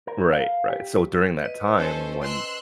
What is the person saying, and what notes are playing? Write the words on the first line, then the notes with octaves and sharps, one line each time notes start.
Right, right. So, during that time when
A#4
F5
G4
B4 D#5
C#4 A4 C5
C6 E6 F#6